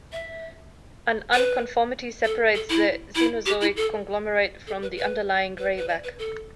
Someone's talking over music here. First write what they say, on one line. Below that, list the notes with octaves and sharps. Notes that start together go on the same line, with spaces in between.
An unconformity separates the Cenozoic conglomerate from the underlying graywacke.
E5
B4
A4
A4
E4
E4
G4
E4
A4
A4
B4
B4
B4
B4
D5
B4
A4